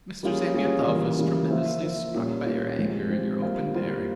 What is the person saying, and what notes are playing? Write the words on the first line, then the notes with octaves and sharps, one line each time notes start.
Mr. Zametov was tremendously struck by your anger and your open daring.
G3 A#3 C#4 F4 G#4
G3 A#3 C#4 F4 G#4
C#3 E3 G3 A#3 F4
C#3 E3 G3 A#3 F4
F3 A#3 F4 C5 E5
F3 A#3 F4 C5 E5
A#2 G3 A#3 C#4 F4
A#2 G3 A#3 C#4 F4
F3 G#3 C4 G4
F3 G#3 C4 G4
G3 A#3 F4 C5 F5
G3 A#3 F4 C5 F5